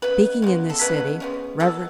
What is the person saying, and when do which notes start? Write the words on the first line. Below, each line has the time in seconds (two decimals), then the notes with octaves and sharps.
Speaking in this city, Rev.
0.02 C#3 G#3 B3 B4
0.42 C#3 G#3 B3
0.70 A4
0.81 C#3 G#3 B3 B4
1.20 C#3 G#3 B3
1.60 B2 F#3 B3 A4